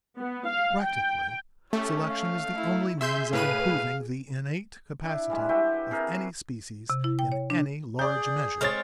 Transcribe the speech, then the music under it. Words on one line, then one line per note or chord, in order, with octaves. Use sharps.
Practically, selection is the only means of improving the innate capacity of any species in any large measure.
B3
F5
G5
A3 C#4 G4
F5
E4
G#4 E5 C6 G6
A2 B4 F5 D#7
D4 E4
E3 G3 G#3
F#4 G4 B4 E5
C3 G#4 A#4
C3
E4
G5
C#5
D4
G#4 D5 G6
G#3 C4 C#5 F6 A6